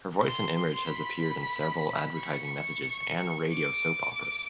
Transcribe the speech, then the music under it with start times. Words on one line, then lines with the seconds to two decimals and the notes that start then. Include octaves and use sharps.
Her voice and image has appeared in several advertising messages and radio soap operas.
0.20 C6
0.86 B5
2.18 C#6
3.50 D6